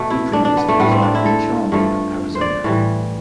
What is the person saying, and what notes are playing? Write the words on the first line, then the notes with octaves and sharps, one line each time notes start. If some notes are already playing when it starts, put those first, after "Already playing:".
He previously resided in Chandler, Arizona.
Already playing: B2 A3
E4
D4
D4
B3
A3
A2 G3 B3
C4
D4
E4
A4
G2 F3 A3
C5
D5
A2 E3 G3